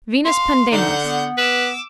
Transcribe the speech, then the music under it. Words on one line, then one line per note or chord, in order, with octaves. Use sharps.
Venus Pandemos.
F5 C6
D3 D#4 F#5 G6
B3
B4 D6 E6